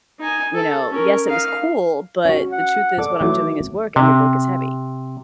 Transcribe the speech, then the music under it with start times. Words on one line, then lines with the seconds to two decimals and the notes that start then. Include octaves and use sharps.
you know, "Yes, it was cool, but the truth is what I'm doing is work, and the work is heavy."
0.20 D#4 G#5
0.55 A4
0.91 C#4 A#4
1.25 D#4 F5
2.25 C#4 F#4
2.52 F#5
2.98 A4 D5 D6
3.21 E3 F#3 A3
3.96 C3